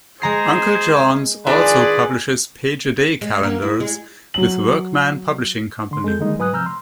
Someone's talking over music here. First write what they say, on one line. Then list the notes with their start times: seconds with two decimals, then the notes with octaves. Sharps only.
Uncle John's also publishes Page-a-Day calendars with Workman Publishing Company.
0.22 G#3 G#4 C5 A#5 C7
1.47 D#3 D4 F4 G#4 B4 D5
3.21 G#3
3.43 A#3
3.62 E4
3.80 G#3
4.34 F#3 F#7
5.91 D3 C6
6.04 G#3 A4 G6
6.19 D3 D#3 G3 G#3 A#3 D#4
6.38 G#2 F#3 B4 G#5 D#6 F#6
6.53 C3 F3 A#5 E6 F6 G6
6.66 C6